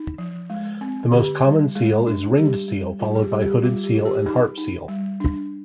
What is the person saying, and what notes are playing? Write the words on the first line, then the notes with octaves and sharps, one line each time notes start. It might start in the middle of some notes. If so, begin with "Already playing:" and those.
The most common seal is ringed seal, followed by hooded seal and harp seal.
Already playing: D#4
F3
G#3
C4
D3 G4
G3
G#3 G#4
D4
G3 G4
G3
G3 F4
G#4
G4
G3
G4
G3 F4
G4
F4
G4
D#4 G#4
D#4
G3
D4